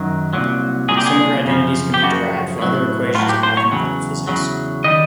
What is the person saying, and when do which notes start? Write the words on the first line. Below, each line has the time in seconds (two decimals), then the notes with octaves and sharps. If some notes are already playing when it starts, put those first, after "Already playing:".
Similar identities can be derived for other equations of mathematical physics.
Already playing: F#2 D#3 F#3
0.33 C2 A#2 F#3
0.89 C2 A#2 F#3 G#4
0.97 G4
1.07 G#4
1.46 F#2 C#3 F3
1.94 G4
2.02 F#2 C#3 F3 F#4
2.59 A2 F#3
3.15 A2 F4
3.19 F#3
3.29 G4
3.43 C5
3.57 C#5
3.72 E2 C#3 F#3
4.27 E2 C#3 F#3
4.84 D#3 G3 D#5